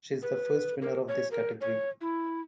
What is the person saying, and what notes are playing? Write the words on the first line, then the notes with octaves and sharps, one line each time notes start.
She is the first winner of this category.
B4
A#4
C#5
A#4
C#5
E4